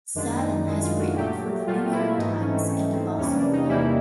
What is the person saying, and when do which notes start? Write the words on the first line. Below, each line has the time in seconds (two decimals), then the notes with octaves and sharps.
Seddon has written for the New York Times and the Boston Globe.
0.15 F#2 D#3 G#3 D4
0.40 D#4
0.65 F#2 D#3 G#3 E4
0.82 F4
0.98 F#4
1.16 A#2 F#3 A3 G4
1.66 A#2 F#3 A3 F4
1.91 E4
2.17 G#2 E3 A3 D#4
2.40 C#4
2.51 C4
2.68 G#2 E3 A3 C#4
2.93 C4
3.18 E2 C3 E3 G3 A#3 C#4
3.35 D4
3.52 D#4
3.68 E2 C3 E3 G3 A#3 E4